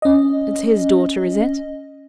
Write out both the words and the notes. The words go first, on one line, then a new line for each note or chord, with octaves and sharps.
It's HIS daughter, is it?'
C#4 D#5